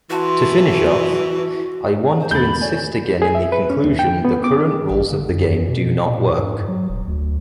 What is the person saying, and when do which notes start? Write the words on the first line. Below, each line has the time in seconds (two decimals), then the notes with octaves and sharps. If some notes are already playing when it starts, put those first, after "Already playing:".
To finish off, I want to insist again in the conclusion: the current rules of the game do not work.
0.10 E3 F#4 F#5 A5 C6
2.20 C5
2.31 E2 D3 A3 B5 G6 A6
2.61 A4 C#5 D5 G#5
3.22 G#4
3.35 E5
3.52 B4
3.70 C#4
3.84 D#2
3.99 G5
4.25 B3
4.44 D6
4.90 A1
5.12 D3
5.29 F#2
5.50 F#2
5.69 B2
6.10 A#2
6.39 G2
6.53 G#2
6.68 F#3
6.89 D#1
7.08 D2